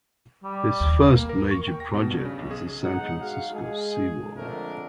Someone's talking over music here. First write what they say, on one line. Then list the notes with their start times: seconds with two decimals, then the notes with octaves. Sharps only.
His first major project was the San Francisco seawall.
0.44 G3
0.80 D#2
1.15 A#3
1.29 A#4
1.51 C#6
1.68 G5
1.80 A#6
1.94 B2
2.10 G2
2.25 C#3
2.39 B1
2.51 G#4
2.83 B1 G#3 D#4 F#5
3.20 F#4 G#4 F5
3.53 G#3 G#4
4.37 F2 D3 A3 D4 A#4